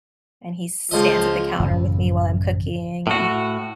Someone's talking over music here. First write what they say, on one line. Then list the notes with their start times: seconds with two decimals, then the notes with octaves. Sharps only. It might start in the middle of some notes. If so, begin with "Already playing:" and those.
and he s stands at the counter with me while I'm cooking and,
0.91 C#2 F3 D#5
1.60 A1 F#2 C#3 E3
3.07 A2 F#4